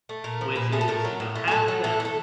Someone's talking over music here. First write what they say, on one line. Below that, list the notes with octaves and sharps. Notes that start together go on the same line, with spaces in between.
which is, you know, have them
A3
A#2 A#4
F3
A#2 B4
A3 G#4
A4
A2 A#4
F#3
A2
A3
G#4
A2 A4
F#3
A2 A4
A3
A4